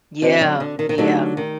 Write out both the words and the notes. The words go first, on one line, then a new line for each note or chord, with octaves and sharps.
Yeah. Yeah.
D3 C4 F#4 C5 D#5
D3 F#3
D3
D#3
D#3
D3 F#3 A3 D#4 G4 A#4 D#5
D#3